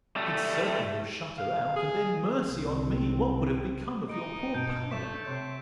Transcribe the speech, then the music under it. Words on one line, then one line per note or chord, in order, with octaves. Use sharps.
He'd certainly have shut her out, and then, mercy on me! what would have become of your poor Pamela?
G3 A3
F5
G#4
C2 C4
D#4 D#5 D7
G2 B2 A5 G6 D7
A3 B6 E7
C3 C#5 C6